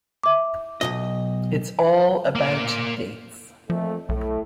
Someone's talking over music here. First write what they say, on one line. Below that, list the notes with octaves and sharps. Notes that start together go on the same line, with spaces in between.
It's all about dates.
E5 D6
B1 F2 D#5
A#3 D5
F2 A#2 F3 A3
B1 A2 A3